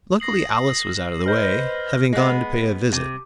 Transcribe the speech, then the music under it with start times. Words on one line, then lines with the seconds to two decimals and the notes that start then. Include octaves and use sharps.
Luckily Alice was out of the way, having gone to pay a visit.
0.20 D#6 A#6 C7 F#7
1.26 B4 C5 D#5 F6 G6
2.13 G#3 B3
2.92 C3